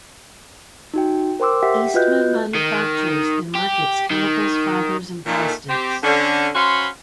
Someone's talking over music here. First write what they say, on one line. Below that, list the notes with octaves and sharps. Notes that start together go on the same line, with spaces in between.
Eastman manufactures and markets chemicals, fibers and plastics.
D#4 F#4 G5
A#4 C5 G5 C6 D6 E6
G4 E5 F#5 G5 B6
F4 F#4 B4 D#5 F#6 G6
D#3
G4
D#3
A#2 D#3 A3
C4 G4
D3 C#4
C#4 F#4 C5 F5 B5 C6